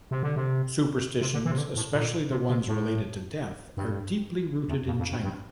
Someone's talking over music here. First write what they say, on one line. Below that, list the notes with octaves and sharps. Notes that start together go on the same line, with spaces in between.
Superstitions, especially the ones related to death, are deeply rooted in China.
C3
D3
C3
C3
D3
E3
C3
D3
A2
A#2
C3
C3
A2
G2
E2
F2
F2
G2
G2